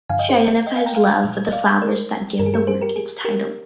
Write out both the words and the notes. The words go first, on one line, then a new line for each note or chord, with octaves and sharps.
She identifies love with the flowers that give the work its title.
G2 D3 F3 F5 G#5
D#5 G5
G#4 C5
D#5 G5
F5 G#5
G5 A#5
F5 G#5
A#2 F3
D#5
D5 F5
A#4 D5
G2 D#3 G#4 A#4
G4 A#4
G#4 C5
G4 A#4
G#4
G4 A#4